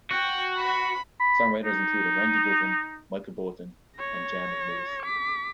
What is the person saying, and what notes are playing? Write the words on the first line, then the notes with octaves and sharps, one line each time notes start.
Songwriters included Randy Goodrum, Michael Bolton and Jam and Lewis.
F#4 F#5 G5
B5
B5
D#4
C#5 A#6
D6 B6